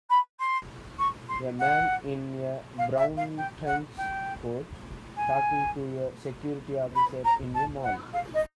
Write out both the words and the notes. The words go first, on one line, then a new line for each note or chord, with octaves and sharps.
A man in a brown trench coat talking to a security officer in a mall.
B5
C6
C#6
C6
F#5
F5
E5
F5
G5
F#5
G5
G#5
B5
A#5
A5
F#5
F5
D#5